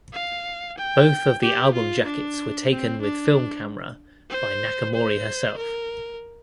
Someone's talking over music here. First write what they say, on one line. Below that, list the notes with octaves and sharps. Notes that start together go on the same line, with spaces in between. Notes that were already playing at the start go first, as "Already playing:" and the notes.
Both of the album jackets were taken with film camera by Nakamori herself.
F5
G5
G4
F4
D4
C4
D4
C5
C5
A#4